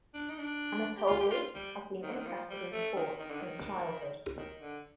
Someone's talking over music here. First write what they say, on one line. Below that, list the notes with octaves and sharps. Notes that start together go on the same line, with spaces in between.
Anatoliy has been interested in sports since childhood.
D4
D#4
D4
G4
F4
G4
F4
G3
D#3
D3
D#3
F3
G3
A3
D#3
D#3
D3
D#3
D#3
D3